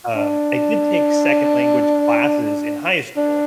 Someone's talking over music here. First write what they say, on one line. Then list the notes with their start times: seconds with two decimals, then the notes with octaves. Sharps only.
um I did take second language classes in high school,
0.16 D4
3.17 D4